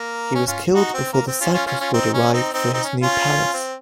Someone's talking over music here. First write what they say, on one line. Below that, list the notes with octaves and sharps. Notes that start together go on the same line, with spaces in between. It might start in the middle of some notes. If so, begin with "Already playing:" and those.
He was killed before the cypress wood arrived for his new palace.
Already playing: A#3
C#4
C#4 F4
D#4 F#4
C4
A#3
C4
C#4 F4
C#4 F4
C#4 F4
C#4 F4
C4 D#4
C#4
C4 D#4
C4 D#4
C4 D#4
C#4
C#4 F4
C4